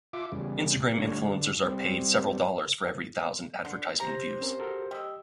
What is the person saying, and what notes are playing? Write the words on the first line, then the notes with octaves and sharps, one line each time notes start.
Instagram influencers are paid several dollars for every thousand advertisement views.
F4 E5 D6
E2 C#3 G3
A#2 D3 G3 A3 D4 C#5
D3
G3 C4
D3
G4 C5 A#5
C4 C#4 A#4
F#4 A4 A#4
G3 G4 D#5 E6